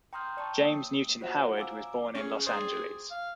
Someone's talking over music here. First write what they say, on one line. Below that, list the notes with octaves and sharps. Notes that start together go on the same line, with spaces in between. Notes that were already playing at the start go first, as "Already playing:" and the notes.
James Newton Howard was born in Los Angeles.
G5 A#5 C6 D#6 F6 G6
D5 G5 A5 C#6
A#3 C#5 D#6
F4 F#4 C5 C#5 E5 F#5
F5 G#5 A#5 D6 E6
C#4 G#4
G#4 C5 D5 G5
F5